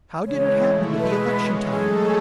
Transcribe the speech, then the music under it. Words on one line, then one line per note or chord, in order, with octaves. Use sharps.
How did it happen to be election time?
C#3 E3 G#3 C#5
B2 A3 E4
B2 G#3 B3 B4
E3 G#3 C#4
F#3 A3 D#4 G#4 A4